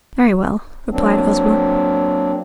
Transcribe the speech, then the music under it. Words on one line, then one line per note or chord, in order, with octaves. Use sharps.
"Very well," replied Ozma.
F#3 A#3 C4 D4